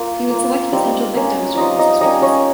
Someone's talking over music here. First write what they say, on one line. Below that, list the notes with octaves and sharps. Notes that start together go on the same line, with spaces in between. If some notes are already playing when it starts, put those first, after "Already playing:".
He would select potential victims during business trips.
Already playing: A#3 F4
A#3 F4
G3 C4 D#4
A#3 C#4 F4
G3 C4 D#4 F4 D#5
D#4 D#5
G3 A#3 C#4 D#4 D#5
C#4 C#5